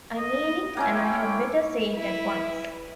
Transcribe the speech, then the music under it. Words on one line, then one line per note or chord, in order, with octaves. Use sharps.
I mean it, and I had better say it at once.
D#5
A#3 C#4 E4 G5
E4 B4